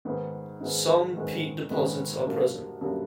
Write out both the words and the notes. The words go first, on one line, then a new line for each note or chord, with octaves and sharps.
Some peat deposits are present.
G#2 D#3 G#3 B3
G#2 D#3 G#3 B3
G#2 D#3 G#3 B3
G#2 D#3 G#3 B3
F#2 D3 G3 A#3
F#2 D3 G3 A#3